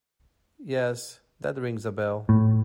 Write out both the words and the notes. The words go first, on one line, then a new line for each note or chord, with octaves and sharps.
Yes, that rings a bell.
A2